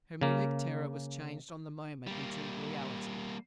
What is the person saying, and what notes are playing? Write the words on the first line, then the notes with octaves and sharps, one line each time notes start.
Her mimic terror was changed on the moment into reality.
C#3 A#3
G3 A#3